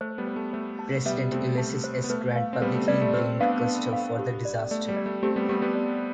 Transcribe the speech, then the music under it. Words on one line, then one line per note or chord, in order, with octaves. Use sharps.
President Ulysses S. Grant publicly blamed Custer for the disaster.
A3 C5
G3 B3
C5
A3
A3 C5
A5
G3 B3 E5
A3 C4 C5
A3 A5
C5
B3
A3 B4
F5
C4
G3 B3 B4
A3
G3 D5
A3
A3 C4 B4
B3 D4 F5
B4
F5
G4
D5
A3 D5
G3
D5
A3
A3 C4 G4
G3 B3
G3 B3 G4
G3 B3
D5